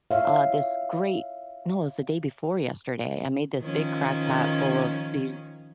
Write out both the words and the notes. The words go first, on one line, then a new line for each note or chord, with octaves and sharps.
uh, this great no, it was the day before yesterday, I made this big crock pot full of these
C#5 E5 F5
D#3 F3 C#4